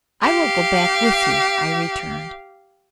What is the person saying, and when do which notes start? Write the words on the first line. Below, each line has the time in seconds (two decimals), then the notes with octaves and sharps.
"I will go back with you," I returned.
0.22 G4 F5